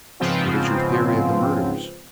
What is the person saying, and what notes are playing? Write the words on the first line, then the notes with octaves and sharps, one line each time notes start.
"What is your theory of the murders?"
G#2 C#3 F3 B3 C4 F4